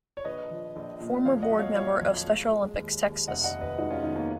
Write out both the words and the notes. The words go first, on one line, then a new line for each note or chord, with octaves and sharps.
Former Board Member of Special Olympics Texas.
C#5
A#1 B4 D#5
F3
A#1
A#2
F2 C#5 F5
D#5 F#5
F#3
C#5 F5
F#3 C#5 F5
F2
G#3
G#3
D#2
D#2
F1 D#5 F#5
D#5 F#5
D#2
B4 D#5
G#3 D#4 F#4
C#4 F4
D#3 B3 D#4
A#3 C#4